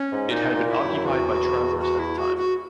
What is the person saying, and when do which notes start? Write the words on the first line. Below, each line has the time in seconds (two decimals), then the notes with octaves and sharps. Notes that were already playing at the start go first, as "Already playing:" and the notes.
It had been occupied by travellers at the time.
Already playing: C#4
0.12 G#2
0.30 A#2 D#4
0.56 A#2
0.68 E4
0.80 F#2
1.05 E2 F#4
1.80 F#4
1.99 E4
2.18 F#4
2.37 F#4